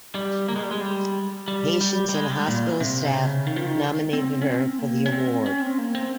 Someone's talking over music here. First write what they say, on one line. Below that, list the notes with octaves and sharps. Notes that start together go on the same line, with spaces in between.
Patients and hospital staff nominated her for the award.
G3
A#3
G#3
G3
G#3
G3
G3
G3
G3
G#3
G3
A#2
C3
C3
C#3
D#3
F3
D#3
C4
C#4
C4
A#3
C#4
C4
C#4
C4
A#3
C4